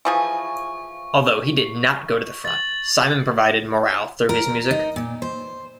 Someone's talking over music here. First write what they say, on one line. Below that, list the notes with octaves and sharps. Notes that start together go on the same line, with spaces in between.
Although he did not go to the front, Simon provided morale through his music.
E3 F3 G#4 C#6
A6 F#7
A#4
D#4
A#2
C5